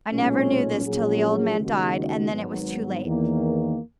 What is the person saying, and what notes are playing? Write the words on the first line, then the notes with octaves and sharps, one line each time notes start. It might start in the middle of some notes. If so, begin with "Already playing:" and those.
I never knew this till the old man died, and then it was too late.
B1 A#2 G#3 C#4
A#1 A#2 F#3 C#4 G#4
D#2 C#3 G#3 D#4 F#4
G#1 G#2 F#3 B3
E2 D#3 A#3